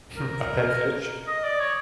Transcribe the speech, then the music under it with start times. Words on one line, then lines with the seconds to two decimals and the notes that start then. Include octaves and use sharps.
Hmm, a pet fish?
0.17 A#4
1.27 D#5
1.44 D5
1.60 C#5